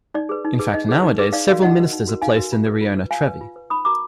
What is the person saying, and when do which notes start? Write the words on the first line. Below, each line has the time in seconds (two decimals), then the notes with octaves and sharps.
In fact nowadays several ministers are placed in the rione Trevi.
0.14 D#4 D5
0.29 G#4 B4
0.45 D#4
0.59 G#4 B4
0.74 D#4 D#5
0.89 G#4 B4
1.03 D#4
1.19 G#4 B4
1.33 D#4 D5 F5
1.48 F#4 A#4 D5 F5
1.62 D#4 D#5 F#5
1.78 F#4 A#4
1.93 D#4
2.08 F#4 A#4
2.22 D#4 F5 G#5
2.37 F#4 A#4
2.52 F4
2.67 B4
2.81 F4
2.97 B4
3.11 F4 F5 G#5
3.27 B4
3.41 F4
3.56 B4
3.70 D#4 B5 D#6
3.85 F#4 A#4 A#5 D6